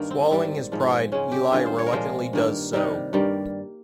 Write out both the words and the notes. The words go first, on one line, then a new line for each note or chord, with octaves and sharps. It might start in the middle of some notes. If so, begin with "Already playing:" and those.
Swallowing his pride, Eli reluctantly does so.
Already playing: G2 D#3 A#3
C4
G#2 G3 A#3 C4
G#2 F3 G#3
C#3 G#3 C#4
G4
G2 D#3 G#3 F4
C5
C#5
A#4
A#2 F3 G#3 C5
G2 D#3 A#3
C3 D#3 G3 D#4
G2 D#3 G3 A#3